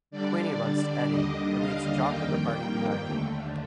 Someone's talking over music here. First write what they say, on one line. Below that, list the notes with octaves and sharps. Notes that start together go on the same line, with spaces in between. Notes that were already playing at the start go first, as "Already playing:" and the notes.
Queenie runs to Eddie and leaves Jock and the party behind.
D3 G3 D4 D5
D#2 D3 G3 D4 D#5
F5
F2 D#3 G3 A#3 G5
D#2 D3 A3